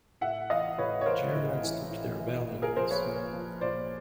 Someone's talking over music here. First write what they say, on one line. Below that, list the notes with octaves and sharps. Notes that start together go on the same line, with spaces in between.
Germans took their valuables.
A2 E5 F#5
E3 D#5 F5
A2 B4 C#5
C#5
E3 A#4 C5
A2
E3
A2
E3
A#2
G#4 A#4
F3 A#4 C5
B4 C#5
A#2
F3
A#2 C5 D5